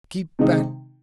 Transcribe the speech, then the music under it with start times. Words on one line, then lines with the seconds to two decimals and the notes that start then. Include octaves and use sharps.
'Keep back!
0.39 C3 D#3 G#3 D#4